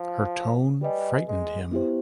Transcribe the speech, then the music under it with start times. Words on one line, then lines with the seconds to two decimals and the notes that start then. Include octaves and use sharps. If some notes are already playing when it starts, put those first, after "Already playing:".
Her tone frightened him.
Already playing: F3
0.81 G3 G4 B4 D#5 G#5
1.27 G#3
1.71 B3 E4 G4 C5